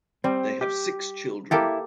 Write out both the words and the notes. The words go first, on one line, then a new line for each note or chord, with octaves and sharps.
They have six children.
G3 C4
G4
A#3 E4 G4 A4